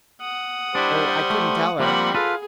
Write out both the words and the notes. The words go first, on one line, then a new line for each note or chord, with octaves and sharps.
"Oh, I couldn't tell her."
F#5 D#6
G3 D4 E4 C5
A3
F3 G3 A#3 C4 F#5 B5
F4 G#4 A4 B4 F5